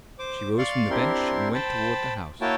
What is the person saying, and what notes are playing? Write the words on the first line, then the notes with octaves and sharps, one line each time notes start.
She rose from the bench and went toward the house.
C5 D6
D5 F5 C6 C#6
C4 D4 E4 G4 A#4 C6
C5 G5 A5 B5
A#3 E4 F#4 C#5 G5 A5